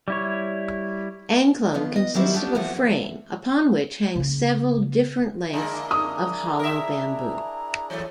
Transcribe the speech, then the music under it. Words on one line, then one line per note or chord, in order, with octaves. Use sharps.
Angklung consists of a frame upon which hang several different lengths of hollow bamboo.
G3 E4 C#5
D#3 F3 B3 F4
D#5
D#3 F#3 G3 E4
B3 C#4 D4 F4 G4 A4
E2 F3 A#3 C4 F#5
E3
C#3 A#3
D3 G#3 A#3 D4 E4 G#4 A#5
A#5 D#6
A#4 E5
E3 F#3 A3 C#5